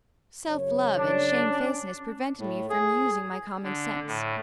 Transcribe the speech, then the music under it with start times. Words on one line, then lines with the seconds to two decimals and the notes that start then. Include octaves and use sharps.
Self-love and shamefacedness prevented me from using my common sense.
0.48 F#2 C#3 C#5
0.98 D4
1.45 C#4
2.40 A2
2.70 G#4
3.64 D3
4.07 A2